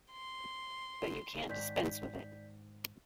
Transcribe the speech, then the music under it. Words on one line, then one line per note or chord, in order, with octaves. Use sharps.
But you can't dispense with it.
C6
G#2 D#3 D5 G6 B6